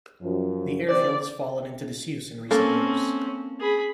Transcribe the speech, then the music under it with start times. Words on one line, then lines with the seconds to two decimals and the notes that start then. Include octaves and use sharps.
The airfield has fallen into disuse in recent years.
0.21 F#2 F3
0.89 C3 E3 C4 C5 D5
2.51 A#3 C4 C#4 A4
3.60 G#4 B5